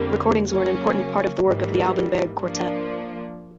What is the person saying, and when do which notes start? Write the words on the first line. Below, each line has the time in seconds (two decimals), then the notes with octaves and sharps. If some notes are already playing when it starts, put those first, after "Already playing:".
Recordings were an important part of the work of the Alban Berg Quartet.
Already playing: F2 D3 G3 A#3
0.47 C#3 F#3 A#3 C#4
1.43 G#2 E3 G3 A#3
2.40 F3 A#3 D4